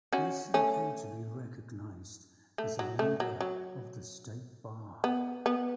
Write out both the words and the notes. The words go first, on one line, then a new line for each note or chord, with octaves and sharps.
He soon came to be recognized as a leader of the state bar.
C#4 F#4
A3 C#4
A3
F#3
A3
F#3
F#3
B3
B3